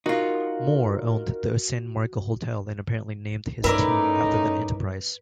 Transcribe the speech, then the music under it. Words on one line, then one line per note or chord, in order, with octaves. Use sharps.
Moore owned the San Marco Hotel and apparently named his team after that enterprise.
D#4 F4 F#4 A#4
G2 A3 C#4 D#4 E4 A#4 B4 D5